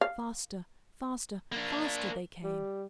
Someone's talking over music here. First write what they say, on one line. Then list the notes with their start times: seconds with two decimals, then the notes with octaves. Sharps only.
Faster, faster, faster, they came.
0.01 F5
1.52 A#3 D4
2.43 G3